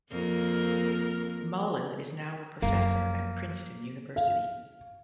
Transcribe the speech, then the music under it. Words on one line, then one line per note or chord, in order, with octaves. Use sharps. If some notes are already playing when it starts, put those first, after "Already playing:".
Mullen is now a Professor at Princeton University.
F2 A#3 A#4
F#2 F3 A#3
F5